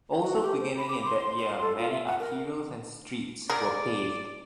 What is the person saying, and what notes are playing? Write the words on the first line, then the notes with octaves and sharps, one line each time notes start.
Also beginning in that year, many arterials and streets were paved.
F#4
G4
C5
B5
D6
C6
C6
A4
F4
E5
F#5
A#4
G#4 A#4 D5